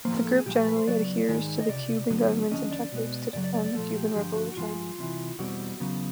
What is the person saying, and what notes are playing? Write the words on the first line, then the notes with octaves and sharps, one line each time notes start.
The group generally adheres to the Cuban government's objectives "to defend the Cuban Revolution".
A2 F3 A#3 C5
A#4
A4
G#4
A#2 F3 G#3 G4
B4
C5
C#2 B2 F#3 B3 D5
G#2 D#3 G#3
D#5
C#2 C3 D5
G2 D3 F#3 B3
D#2 D3 F3 C#4 D#5
D5
B2 G#3 B3
F#2 C#3 F#3 D5
D5
D5
D5
A#2 F3 A3 A4
G4
G2 D3 F3 G4
F#4
F#4
G2 D3 F3 G#3 F4
C2 C3 E3
E2 B2 G3 C4 F#4
E2 C#3 F#3 B3